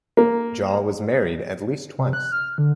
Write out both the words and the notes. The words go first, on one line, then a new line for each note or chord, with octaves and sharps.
Jaw was married at least twice.
A#3
C3
F#6
F6
D3